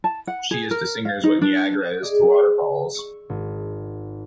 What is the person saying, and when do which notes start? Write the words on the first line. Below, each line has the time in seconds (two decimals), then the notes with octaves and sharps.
She is to singers what Niagara is to waterfalls.
0.04 A5
0.27 F#5
0.51 G#4
0.71 A#4
1.05 F5
1.24 D#4
1.41 D4
2.02 G#4 D5 D#5
2.95 C#6 E6 C#7
3.29 G#1